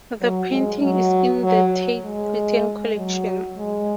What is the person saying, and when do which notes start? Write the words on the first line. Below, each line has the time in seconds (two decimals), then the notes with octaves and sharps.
The painting is in the Tate Britain collection.
0.22 F#3
0.52 G#3
0.82 F#3
1.43 F#3
2.04 G#3
2.96 F#3
3.58 G#3